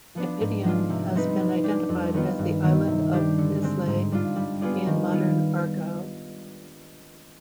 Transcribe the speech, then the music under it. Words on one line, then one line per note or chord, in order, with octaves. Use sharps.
"Epidion" has been identified as the island of Islay in modern Argyll.
F3 B3 D4
G#2
F3 G#3 D4 F4
C3
G3 C4 D#4 B4
G3
D4 G4 D5
F2
D#3 B3 F4
G2
D#3 B3
C3
G3 D4 G4
D3
G#3 C4
G#2
G3 D4 F4
G3
B3 F4 G#4 D5
D#3
G3 B3 F4